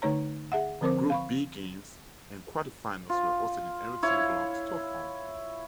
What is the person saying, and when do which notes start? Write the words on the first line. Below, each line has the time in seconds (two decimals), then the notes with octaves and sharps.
Group B games and quarterfinals were hosted in Ericsson Globe, Stockholm.
0.02 D3 A3 D#4 C#5 A#5
0.52 G#4 E5 F#5
0.81 D3 F3 C4 A#4 C5 D6
1.10 F5 B5 C#6
3.09 F4
4.03 E4 C#5 F5